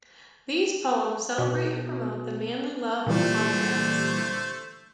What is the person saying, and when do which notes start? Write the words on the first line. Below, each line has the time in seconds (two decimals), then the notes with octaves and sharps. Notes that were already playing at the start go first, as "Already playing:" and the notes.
These poems celebrate and promote "the manly love of comrades".
1.38 B2
3.06 A#2 D3 E3 G3 A3 C5